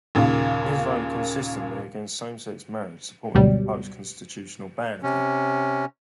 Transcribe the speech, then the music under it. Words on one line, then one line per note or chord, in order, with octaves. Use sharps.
He has voted consistently against same-sex marriage, supporting the proposed constitutional ban of it.
D#2 A#2 C#3
D2 G#2 B2 F#3 G3
C3 C#4